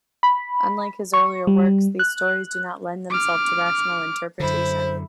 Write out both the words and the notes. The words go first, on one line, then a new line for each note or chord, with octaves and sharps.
Unlike his earlier works, these stories do not lend themselves to rational interpretation.
B5
C#6
G3
F#6
D6 F6
F#2 D3 E4 C5